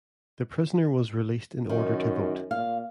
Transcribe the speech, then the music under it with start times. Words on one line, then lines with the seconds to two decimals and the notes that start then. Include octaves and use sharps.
The prisoner was released in order to vote.
1.69 F#2 D#3
2.51 A#2 F5